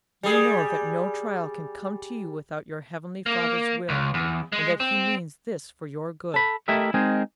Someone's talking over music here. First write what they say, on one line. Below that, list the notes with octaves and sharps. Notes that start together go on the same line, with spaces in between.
You know that no trial can come to you without your heavenly Father's will, and that He means this for your good.
G3 G#4
A#3
C#2
E2
G#3
C4
A4 B5
A3 E4 G4 A#4 D#5 E5
G#3 C4 D#4 G#4 A#4